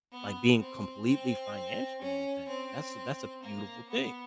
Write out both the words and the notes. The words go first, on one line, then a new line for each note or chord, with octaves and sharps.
like, being completely financially independent, that's that's a beautiful thing,
B3
C4
C4
C#4
C4
A#3
B3